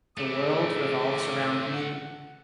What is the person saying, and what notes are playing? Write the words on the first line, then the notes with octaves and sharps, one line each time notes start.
The world revolves around me.
E3 A3 G#4 D6
F#5